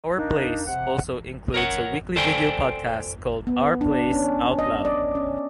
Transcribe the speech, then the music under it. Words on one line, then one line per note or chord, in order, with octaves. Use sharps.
Our Place also includes a weekly video podcast called Our Place Out Loud.
A#3 D4 D#4
C3 F#5
A#4 C#5 F#5
A4 C5 D5 G5 G#5
B3
D4
C#4
D#5
D5
C#4